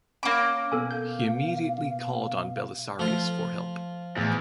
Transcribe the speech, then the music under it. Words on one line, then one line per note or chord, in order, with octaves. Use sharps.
He immediately called on Belisarius for help.
A#3 C#4 B5 D6 A#6
B2 B3 A4 G#5
F5 G6
F3 A3 F4
E2 A2